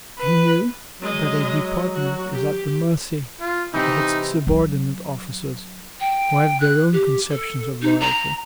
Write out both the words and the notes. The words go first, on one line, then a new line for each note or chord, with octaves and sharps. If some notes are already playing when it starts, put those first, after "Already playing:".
He knew that a department is at the mercy of its subordinate officers, who have their own conceptions of loyalty.
B4
F#3 G#3 D#5
F#4
G4
F4
C3 E3 D#4
F#3 D4
G5
F#6
G4
A4
D#4
A#5